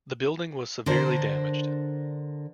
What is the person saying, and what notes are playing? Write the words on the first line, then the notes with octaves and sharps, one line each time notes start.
The building was severely damaged.
D3 D4 A#4 C5